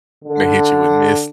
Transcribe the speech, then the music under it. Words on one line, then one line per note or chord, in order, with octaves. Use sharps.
They hit you and miss.
D3